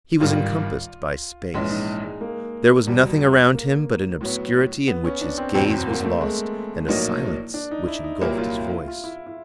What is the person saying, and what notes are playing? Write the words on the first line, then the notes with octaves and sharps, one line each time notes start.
He was encompassed by space. There was nothing around him but an obscurity in which his gaze was lost, and a silence which engulfed his voice.
G#1 G2 D#3 F4
A#1 G#2 E3 G#3 C#4 E4
D#4
G#3
A#3
E2 B2 G3
A#3
A2 F#3 B3
B3
C#4
D4
C4
F#1 E2 B2 C4
C4
A#3
A3
G#3
A#1 A2 F#3 A#3 D#4
D4
D#4
E4
D#4
C2 A#2 F#3 A#3 E4
F4
E4
E4
F4
E4
E4